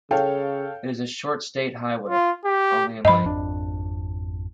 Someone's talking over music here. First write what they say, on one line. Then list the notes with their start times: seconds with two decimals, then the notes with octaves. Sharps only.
It is a short state highway, only in length.
0.11 C#3 A4 C#5 F5 G5
2.09 F4
2.45 G4
3.05 G2 F3 D#5 B5
3.25 G#1 F2 D4